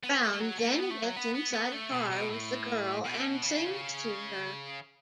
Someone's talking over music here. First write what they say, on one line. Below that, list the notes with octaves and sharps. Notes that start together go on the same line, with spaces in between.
Brown then gets inside a car with the girl and sings to her.
B3
A3
A3
F#3
A3
B3
A3
F#3
B3
B3
B3
A3
B2
B2
A2
B2
C#3